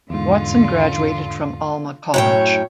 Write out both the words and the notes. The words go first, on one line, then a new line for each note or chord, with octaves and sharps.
Watson graduated from Alma College.
E2 G#2 D3 F4
F#2 A2 C#5 G5